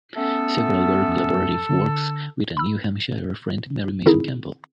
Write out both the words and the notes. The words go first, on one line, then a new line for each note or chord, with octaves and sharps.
Several were collaborative works with a New Hampshire friend Mary Mason Campbell.
A3 B3 C#4 A4
F2
D3
B5 E6
D3 D#3 C4 D#4 E4 G#4